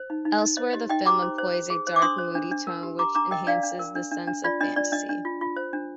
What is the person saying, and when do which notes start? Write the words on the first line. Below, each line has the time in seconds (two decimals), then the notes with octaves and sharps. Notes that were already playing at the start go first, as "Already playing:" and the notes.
Elsewhere, the film employs a dark, moody tone which enhances the sense of fantasy.
Already playing: C5
0.10 D#4
0.25 D#4
0.42 D#4
0.57 C5 D#5
0.73 G4 D#5
0.89 D#4 D#5 G5
1.05 G4 A#5 D6
1.22 C5
1.38 C5
1.54 C5
1.70 G#4
1.87 C5
1.96 D6
2.02 D4 C6 D#6
2.18 C5
2.35 D4
2.51 D4
2.67 A#4
2.83 G4
2.99 G4 A#5 D6
3.15 D4 A#5 D6
3.31 A#4 D#5 G5
3.47 D4 D5 F5
3.63 D4
3.79 A#4
3.95 D4
4.11 D4
4.27 D4
4.44 F4 D5
4.60 D4 D#5
4.76 D4 D5
4.92 D4 D#5
5.09 D4
5.25 F4
5.41 F4
5.56 C5
5.73 D4